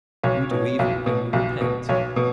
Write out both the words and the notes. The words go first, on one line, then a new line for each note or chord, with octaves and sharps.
You do evil, and you repent?
B1 C#5
B2
B1
B2
B1
B2
B1 C#5
B2